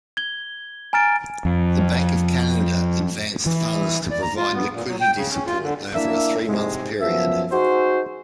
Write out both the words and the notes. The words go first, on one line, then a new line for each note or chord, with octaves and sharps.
The Bank of Canada advanced funds to provide liquidity support over a three-month period.
G#6 G7
G#5 A#5 F6 A6 D7
F2
E3
D5
A#5
F4
B3
A#2
F#3
G5
C#3
C#4
F4
D3
A#3 D4 E4 E5
G#2 C3 G#3
F#2 F3 B3 E5
D#4 F#4 G#4 C5